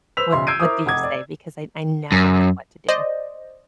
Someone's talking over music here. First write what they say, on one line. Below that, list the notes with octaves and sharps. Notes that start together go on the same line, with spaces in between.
What what do you say, because I I never know what to do.
B4 C5 E6 B6 F7
B1 C#3 E5 C6
E6 G6 G#6 C7 D7 D#7
E4 A#4 C5 D6 D#6
F1 F#5 D6 D#6 G#6
D5
F#2
C5 D5 D#5